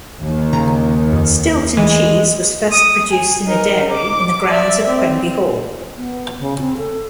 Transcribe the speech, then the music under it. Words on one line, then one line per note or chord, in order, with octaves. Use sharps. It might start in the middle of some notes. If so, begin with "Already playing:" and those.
Stilton cheese was first produced in a dairy in the grounds of Quenby Hall.
D#2 D#3
C#3 A#5
F2
E3 G#3
D#6
G#5
D#4 A#4
D6
D5 E5
C4
B3
C#3
C4
A4